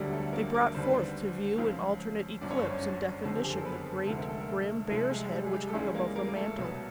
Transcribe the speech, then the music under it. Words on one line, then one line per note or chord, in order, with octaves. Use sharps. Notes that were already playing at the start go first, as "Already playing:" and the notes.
They brought forth to view in alternate eclipse and definition the great, grim bear's head which hung above the mantel.
Already playing: E1 D2 D3 F#3 G3 G4
A3 A4
A#3 A#4
A#3 A#4
D#2 D3 G3 C5
B4
C4 C5
C#2 C#3 F3
G1 F#2 D3 D5
C#5
C5
C#4 C#5
D4 D5
F#1 F2 D3 C4 C5
G4
G#4
A4
A#4
B3 B4
D2 C3 F3 G#3 A4
A#4
A3 A4
A#4
A3 A4
C2 C3 F3 G#3 A3 A4
G#3 G#4
G3 G4
G#4
G3 G4
A4
C#2 C#3 E3 G3 G#3 G#4
A#3 A#4
A#3 A#4
A#4
A3 A4
C2 B2 F#3